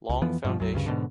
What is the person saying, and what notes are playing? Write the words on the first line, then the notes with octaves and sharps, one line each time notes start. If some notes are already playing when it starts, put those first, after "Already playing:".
Long Foundation.
C#2
F2 E3 F3 B3
G2 B2 F3
B1 F#2 E3 F#3
D2 G2 C#3
G#2 B2 D3